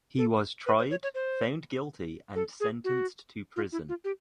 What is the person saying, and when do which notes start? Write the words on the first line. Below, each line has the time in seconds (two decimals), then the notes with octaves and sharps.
He was tried, found guilty and sentenced to prison.
0.18 A4
0.66 B4
0.79 C5
0.91 C#5
1.03 C#5
1.15 C5
2.35 A4
2.60 G#4
2.84 F#4
3.56 F4
3.72 E4
3.89 F4
4.04 G4